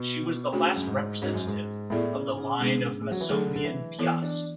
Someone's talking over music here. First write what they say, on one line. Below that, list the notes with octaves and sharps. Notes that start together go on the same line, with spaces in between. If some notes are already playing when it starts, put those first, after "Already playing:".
She was the last representative of the line of Masovian-Piast.
Already playing: B2
C#3 A3 D4 F#4 C#5
F#2
G#2
G#2 G#3 C#4 F#4 C#5
F#2
G#2
A2 B3 E4 G#4 D5
C#3
C#3
G#3 B3 D4 G#4
G#3
F#3
E3
D3 F#3 A3 D4 G#4
C#3
D3
E3
E3 B3 E4 A4 C#5
D4